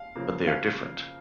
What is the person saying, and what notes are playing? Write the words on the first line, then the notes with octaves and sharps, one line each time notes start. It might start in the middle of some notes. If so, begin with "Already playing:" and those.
But they are different.
Already playing: F5
C#3 F3 A#3
F5